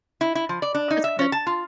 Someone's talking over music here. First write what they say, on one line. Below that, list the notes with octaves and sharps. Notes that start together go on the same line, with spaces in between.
that's good.
E4
E4
F3
D5
D4
D#4
E5
C#4
A5
F4